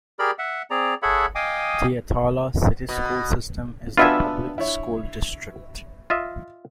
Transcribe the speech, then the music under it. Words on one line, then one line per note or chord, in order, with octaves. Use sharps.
The Attalla City School System is the public school district.
G4 G#4 A#4 D5 B5 F6
E5 F#5
C4 G#4 D5 A#5
G#4 A4 C#5 E5 F#5 B5
D#5 F5 G5 G#5 D6 D#6
B2
B3 D4 F4 F#4 B4 D#5 E5 G#5
E4 C#5
F4 D#5 E5